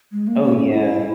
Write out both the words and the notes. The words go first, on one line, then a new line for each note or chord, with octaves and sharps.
Oh, yeah.
G#3
A#3
C#4
C#4
E4